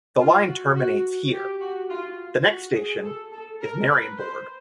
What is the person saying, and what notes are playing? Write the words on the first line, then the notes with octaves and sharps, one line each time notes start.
The line terminates here; the next station is Mariembourg.
F4
F#4
F#4
G4
F#4
F4
F#4
G#4
A4
A4
A#4
B4
C5